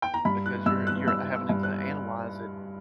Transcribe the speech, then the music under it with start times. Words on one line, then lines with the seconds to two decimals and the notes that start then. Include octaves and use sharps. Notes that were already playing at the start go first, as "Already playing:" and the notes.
because you're you're having it to analyze it
0.02 G5
0.14 A#5
0.25 G2 B5
0.46 F#6
0.66 G2 E6
0.87 F#6
1.07 G2 E6
1.35 E6
1.49 G2
1.63 F#6